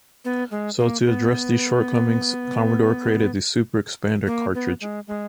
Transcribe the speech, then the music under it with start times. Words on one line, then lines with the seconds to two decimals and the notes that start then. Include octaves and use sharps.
So to address these shortcomings Commodore created the "Super Expander" cartridge.
0.25 B3
0.51 G#3
0.78 A#3
1.05 B3
4.27 A#3
4.54 B3
4.81 G#3
5.07 G#3